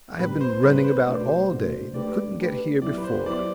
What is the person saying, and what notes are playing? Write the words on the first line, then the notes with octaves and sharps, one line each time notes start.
I have been running about all day, and couldn't get here before.
A2 G3 B3 D4 G4 B4
C5
A2 G3 B3 D4 G4 B4
C5
B2 A3 D4 F#4 D5
C5
B2 A3 D4 F#4
A3 D4 G4 B4 D5
A3 D4 G4 B4
F#3 B3 E4 G4 D5
B4
C5
F#3 B3 E4 G4 D5